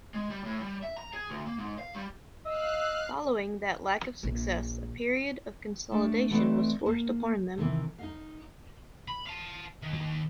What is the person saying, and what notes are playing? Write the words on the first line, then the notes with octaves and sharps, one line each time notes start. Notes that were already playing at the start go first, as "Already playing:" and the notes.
Following that lack of success, a period of consolidation was forced upon them.
G#3
G3
A2
G3
E5
A#5
G#4
D2
A#3
G#2
F5
G3
D#5 F5 E6 F#6
A#1
A3 D4
E3 A3 C4 D#4 B4 D5
A#3 A5
C3 D#3 E3
D#4 D#5 F5
B5
F5 A5
D#3 G4